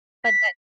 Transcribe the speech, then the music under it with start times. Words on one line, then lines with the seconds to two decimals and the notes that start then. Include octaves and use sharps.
but that
0.25 B6